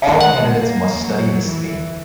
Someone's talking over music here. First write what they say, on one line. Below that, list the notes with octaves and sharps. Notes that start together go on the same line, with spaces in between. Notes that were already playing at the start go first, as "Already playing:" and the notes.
All candidates must study this theme.
G#3 F#5
A#3
F#3
E3